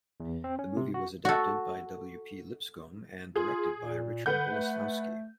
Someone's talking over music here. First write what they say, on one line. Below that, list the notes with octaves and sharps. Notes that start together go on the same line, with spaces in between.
The movie was adapted by W. P. Lipscomb and directed by Richard Boleslawski.
E2
C4
C#4
C3
F#4
F#4 A4
F4 G#4
A#2
D3 B4 F#5 G6
A3